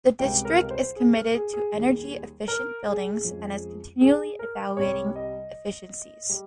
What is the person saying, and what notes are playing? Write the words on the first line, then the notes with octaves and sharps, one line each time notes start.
The District is committed to energy efficient buildings and is continually evaluating efficiencies.
C#2 C3 G3 G5
A#4
C5
G#4
A#4
G#4
G#4
D#2 D#3 G3
A#4
G#4
F2 C#3 F3 G#3
G#4
A#4
C2 C3 G3 C#5
D#5
G3